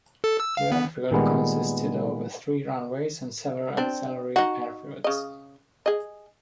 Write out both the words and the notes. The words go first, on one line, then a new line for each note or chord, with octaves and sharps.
The airfield consisted of three runways and several auxiliary airfields.
A4
E6
F5
B3
A#2 D#3 G3 G#3 B3
C4 D4
D#4 F#4
C#3 D#5
G#4 D#5